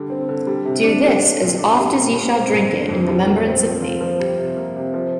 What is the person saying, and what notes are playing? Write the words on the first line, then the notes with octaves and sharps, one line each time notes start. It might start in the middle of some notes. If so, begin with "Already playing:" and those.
Do this, as oft as ye shall drink it, in remembrance of me.
Already playing: D3 G3
C4
D3
G3
C3
D4
G4
A3
A#2
D4
G4
G3
A#2
C4
A#2
D3
F2
G3
A#3
C4
F3
F4
F3
G3
C3
A#3
C3
F3